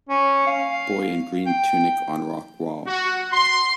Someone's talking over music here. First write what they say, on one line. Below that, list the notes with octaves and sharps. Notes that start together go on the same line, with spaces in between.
Boy in green tunic on rock wall.
C#4
F5
G5
F#4
C6